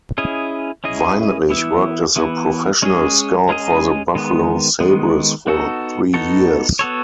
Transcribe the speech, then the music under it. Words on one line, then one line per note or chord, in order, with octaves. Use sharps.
Weinrich worked as a professional scout for the Buffalo Sabres for three years.
C#4 E4 G#4 D#5
C#4 E4 G#4 D#5
E3 B3 E4
E3 B3 E4
G#3 C#4 G#4 D#5
G#3 C#4 G#4 D#5
D#3 G#3 B3
D#3 G#3 B3
B3 D#4 F#4 A4
B3 D#4 F#4 A4
B3 F#4 A4 C#5